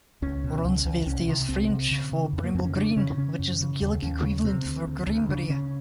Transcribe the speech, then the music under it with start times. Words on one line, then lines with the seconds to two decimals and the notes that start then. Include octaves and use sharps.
"Ronceverte" is French for "Bramble Green", which is the Gallic equivalent for "Greenbrier".
0.22 C#2 C#4
0.44 B2
0.65 C#2
0.85 C#2
1.06 C2 C#4
1.28 C3
1.49 C2 C4
1.69 C3
1.91 C#3
2.12 C#3
2.33 F2
2.44 A#3
2.55 F2 C4
2.65 C#4
2.75 C#3 D4
2.97 C#3 C#4
3.17 C#3 C#4
3.39 F#2
3.61 C#3
3.82 D#2
4.02 D#2 C#4
4.23 C#3
4.44 C3 C4
4.65 D2
4.87 D2
5.07 D2
5.29 C#3 D4
5.49 C#3 C#4